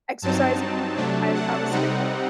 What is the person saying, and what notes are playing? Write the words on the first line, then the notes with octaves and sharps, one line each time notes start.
exercising, I I would say, like
G2 F#3 C4 D#4 A5
C3 F#3 A3 D4
F#5
C3 G3 C4 D#4 F#5